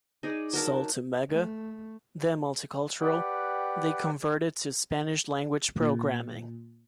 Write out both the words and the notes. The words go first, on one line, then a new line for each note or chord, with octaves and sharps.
Sold to Mega then Multicultural, they converted to Spanish-language programming.
D#4 G#4 D5
F#3 A#4 A5
A3
G4 B4 D5 F#5 G5
A#2